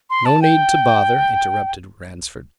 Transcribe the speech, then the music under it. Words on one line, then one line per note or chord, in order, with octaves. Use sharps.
"No need to bother," interrupted Ransford.
C6
A5
G5